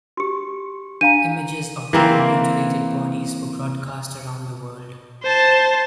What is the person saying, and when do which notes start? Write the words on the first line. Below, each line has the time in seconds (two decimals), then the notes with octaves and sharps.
Images of their mutilated bodies were broadcast around the world.
0.17 F#4 G4
1.01 D4 F5 A#5 D#7
1.93 E3 A#3 C4
5.23 C5 A5